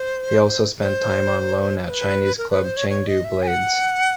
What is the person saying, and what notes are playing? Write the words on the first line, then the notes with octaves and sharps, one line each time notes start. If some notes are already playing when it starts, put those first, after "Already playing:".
He also spent time on loan at Chinese club Chengdu Blades.
Already playing: C5
C5
C5
B4
A#4
B4
C5
C#5
C#5
D#5
E5
G#5
F#5